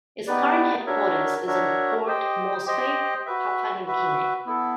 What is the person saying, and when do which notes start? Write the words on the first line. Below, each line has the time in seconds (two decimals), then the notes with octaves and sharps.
Its current headquarters is in Port Moresby, Papua New Guinea.
0.27 B3 D#4 G4 B4 D5
0.86 D4 F#4 A#4 C#5 E5
1.47 D4 F#4 A#4 C#5 E5
2.06 G4 C5 D#5 G5
2.66 G4 C5 D#5 G5
3.26 F#4 B4 E5
3.86 F#4 B4 E5
4.46 B3 E4 A4